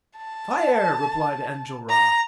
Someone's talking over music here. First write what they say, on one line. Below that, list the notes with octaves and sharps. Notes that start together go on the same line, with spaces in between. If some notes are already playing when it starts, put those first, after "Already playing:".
"Fire!" replied Enjolras.
A5
A#5